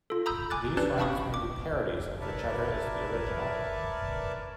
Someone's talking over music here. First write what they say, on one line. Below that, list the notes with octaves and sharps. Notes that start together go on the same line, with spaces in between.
These rhymes may be parodies of whichever is the original.
F4 A4
A#5 B5 D#6 E6 G6
G#5 D6 F#6 A6
C#4 D4 G4 B4 D5 F#6
F5 G5 A5 B5 C#6 D#6
D6
A#4 B4 C#5 D5 E5 A5